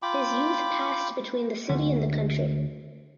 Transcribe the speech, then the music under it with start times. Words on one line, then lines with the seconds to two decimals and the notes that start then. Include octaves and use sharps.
His youth passed between the city and the country.
0.02 F4 G5 B5 D6
1.69 D2